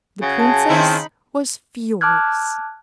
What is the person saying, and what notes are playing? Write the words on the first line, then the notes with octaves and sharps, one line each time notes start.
The princess was furious.
C#3 F#4 G#4
A5
D#3 C4 D#4 E4 B5
A5 D6 F6 F#6 G#6